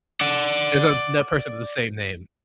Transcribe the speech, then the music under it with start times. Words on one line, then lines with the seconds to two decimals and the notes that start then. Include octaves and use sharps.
There's another person with the same name.
0.21 D5 F#5